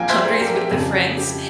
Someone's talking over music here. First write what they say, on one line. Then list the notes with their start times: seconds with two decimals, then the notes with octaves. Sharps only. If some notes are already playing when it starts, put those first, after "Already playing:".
boundaries with the friends.
Already playing: A#1 A#2 F3 F5 G5 G#5 A#5
0.09 C5 E5
0.24 G#4 C5
0.41 G4 A#4
0.56 G4
0.71 F2 C#3 F3 G#4
1.18 G4